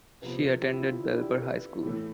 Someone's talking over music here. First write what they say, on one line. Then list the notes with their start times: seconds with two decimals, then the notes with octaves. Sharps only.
She attended Belper High School.
0.22 C3 F3 B3 B4
0.42 A4
0.62 G4
0.72 E4
0.82 F4
0.92 E4
1.03 D4
1.13 E4
1.22 G4
1.33 A4
1.43 B4
1.82 A2 E3 A3